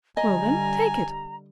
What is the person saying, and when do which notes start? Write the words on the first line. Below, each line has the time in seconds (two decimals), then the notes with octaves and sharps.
"Well, then, take it."
0.17 D3 G3 D#5 G#5 A#5